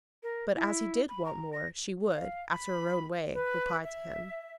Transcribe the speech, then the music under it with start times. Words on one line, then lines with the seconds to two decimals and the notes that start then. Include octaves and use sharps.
But as he did want more she would, after her own way, reply to him.
0.23 A#4
0.55 E4
1.08 B5
1.25 A#5
1.53 A#6
2.14 F5
2.49 B5
3.33 B4
3.83 E5